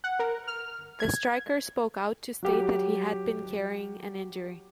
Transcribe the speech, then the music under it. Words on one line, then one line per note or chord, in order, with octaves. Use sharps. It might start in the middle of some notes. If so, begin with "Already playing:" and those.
The striker spoke out to state that he had been carrying an injury.
F#5
A#4
F6
G#6
F#3 G4